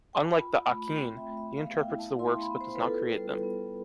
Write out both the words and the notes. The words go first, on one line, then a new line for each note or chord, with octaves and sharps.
Unlike the aqyn, he interprets the works but does not create them.
G5
A5
F4 B5
A3 B5
C4 G5
E5
A3
E5
E5
B3 F5
G5
E4
A5
E4 C6
B5
B3
C5
B4
F4 A4
G3
B3